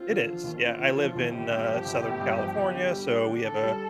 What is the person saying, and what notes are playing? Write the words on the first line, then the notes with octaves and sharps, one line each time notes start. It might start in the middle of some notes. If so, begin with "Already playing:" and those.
It is. Yeah. I live in, uh, Southern California, so we have a
Already playing: C4 F4
D3
F3
D#2
C4 F4
D3
F3
D#2
G1 G4
G2
F3
G1
G1
G2
F3
G1
D3
G3
D4
D3
D3 A4
G3